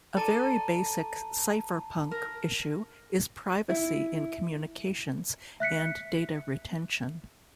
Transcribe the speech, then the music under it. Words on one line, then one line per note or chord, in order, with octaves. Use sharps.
A very basic cypherpunk issue is privacy in communications and data retention.
A4 D5 A5 A#5 D#7
A#4
E4
E5 F#6 B6 C#7